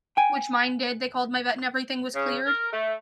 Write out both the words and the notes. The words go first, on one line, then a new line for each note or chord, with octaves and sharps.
which mine did. They called my vet and everything was cleared.
G5 G#5
C#3
A#4
A3